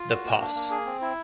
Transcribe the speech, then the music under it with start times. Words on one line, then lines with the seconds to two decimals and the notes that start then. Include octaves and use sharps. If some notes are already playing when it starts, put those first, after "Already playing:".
The poss.
Already playing: F4
0.09 F#4
0.24 A#3
0.40 D4
0.55 A#3
0.70 G#4
0.86 C4
1.01 E4